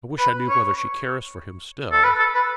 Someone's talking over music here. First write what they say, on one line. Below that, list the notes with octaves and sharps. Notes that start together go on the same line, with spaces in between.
I wish I knew whether she cares for him still.
B4
C#5
A4
B4
A4
B4